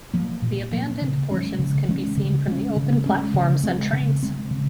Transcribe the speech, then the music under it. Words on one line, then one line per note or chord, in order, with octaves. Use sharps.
The abandoned portions can be seen from the open platforms and trains.
F3 A#3
A#2
F3 A#3
C#3
F3 G#3 C#4
C#3
F3 G#3 C#4
C#3
G#3 C#4
C#3
G#3 C#4
C#3
G#3 C4
C#3
G#3 C4
C#3